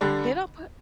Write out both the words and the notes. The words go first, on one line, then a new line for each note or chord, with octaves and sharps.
They don't put
D3 G3 D4